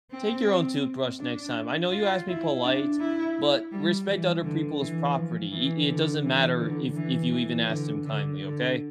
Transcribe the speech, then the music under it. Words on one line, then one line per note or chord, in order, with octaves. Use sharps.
take your own toothbrush next time, I know you asked me polite, but respect other people's property, i it doesn't matter if if you even asked him kindly, okay?"
C4
D4
F4
E4
D4
E4
G3
E3
D3
E3
F3
E3
D3
E3
D3
E3
E3
D3
D3
D3